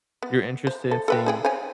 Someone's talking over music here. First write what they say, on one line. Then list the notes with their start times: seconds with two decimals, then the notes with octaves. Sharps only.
you're interested in seeing
0.23 B3
0.67 C5
0.91 A4
1.08 A4 B4 G5
1.26 D#4 G#4 G5
1.45 C5 C#5 G#5